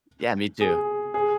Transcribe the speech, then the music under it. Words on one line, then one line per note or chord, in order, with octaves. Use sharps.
Yeah, me too.
G#4
G#4